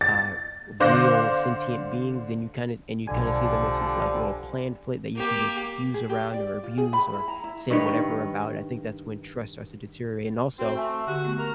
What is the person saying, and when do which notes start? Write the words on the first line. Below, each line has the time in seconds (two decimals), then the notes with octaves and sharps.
uh, real sentient beings, then you kinda and you kinda see them as this, like, little plan flip that you can just use around or abuse or say whatever about, I think that's when trust starts to deteriorate and also,
0.01 A6
0.80 D3 C5 F5 D6 F#6 A#6
3.07 B1 D3 F3 G3 G#5
5.15 A#3 G4
5.94 G#4
6.09 G4
6.33 D5
6.64 F4
6.78 G#4
6.93 B5
7.13 E4
7.28 A#5
7.44 E4
7.70 G2 D#3 B4 C#5
10.59 C4 F#4
10.76 A3 E5 G#5
11.07 D3 F#4 G4
11.25 A3 B3
11.39 A#4